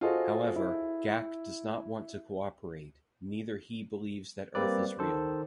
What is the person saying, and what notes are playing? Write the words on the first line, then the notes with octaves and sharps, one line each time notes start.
However, Gack does not want to cooperate, neither he believes that Earth is real.
F4 F#4 G#4 A4 C5 D#5
E4
G3 A#3 C4 B4 D5
D#3 A4 C5